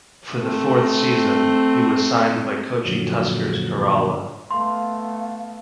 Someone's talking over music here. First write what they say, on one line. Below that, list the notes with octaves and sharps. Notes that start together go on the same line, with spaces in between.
For the fourth season, he was signed by Kochi Tuskers Kerala.
A3 C4
F#2 A#2 D3 F3 F#3
A3 B3 F5 C6